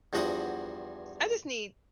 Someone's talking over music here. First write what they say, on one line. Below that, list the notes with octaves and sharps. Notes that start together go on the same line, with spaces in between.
I just need
E2 G2 F3 F#4 D#5 F#5